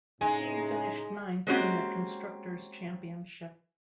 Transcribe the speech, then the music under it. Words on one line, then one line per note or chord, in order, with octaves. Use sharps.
The team finished ninth in the Constructors' Championship.
A2 C#3 G#3 D#4 G#5
G#3 A#3 C4 C#4 F#4 G4